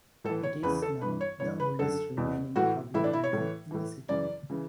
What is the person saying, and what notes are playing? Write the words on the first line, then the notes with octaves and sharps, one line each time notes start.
It is now the oldest remaining public building in the city.
A2 E3 A4
C#5
E2 C#3 E3 B4
A4
G2 E3 B4
C#5
G2 E3 C#5
B4
F#2 D3 A4
E2 B2
A2 E3 F#4
A2 E3 E4
D4
E4
C#5
A2 E3
A2 E3
F#2 C#3 E3 D5
C#3 E3